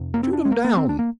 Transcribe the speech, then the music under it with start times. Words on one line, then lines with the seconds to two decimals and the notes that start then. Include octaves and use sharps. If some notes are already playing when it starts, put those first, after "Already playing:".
"Shoot 'em down!"
Already playing: F2 C3
0.14 A#3
0.23 C4
0.33 D4
0.45 G#3
0.52 A#3
0.65 A#3
0.77 C4
0.89 D4
0.99 A#3